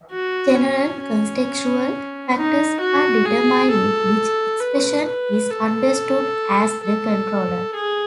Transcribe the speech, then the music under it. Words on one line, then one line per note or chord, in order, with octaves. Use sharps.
General contextual factors are determining which expression is understood as the controller.
F#4
C#4
C#4
D#4
F#4
G#4
A4
B4
B4
A4
A4
G#4